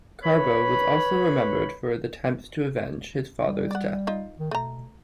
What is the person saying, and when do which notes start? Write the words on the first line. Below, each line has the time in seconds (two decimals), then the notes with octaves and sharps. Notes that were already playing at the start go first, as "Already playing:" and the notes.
Carbo was also remembered for his attempts to avenge his father's death.
0.23 B4 C#5 B5
3.42 G3
3.71 D5 F#5
4.07 D#4 F4
4.39 D#3
4.51 B2 A3 A#5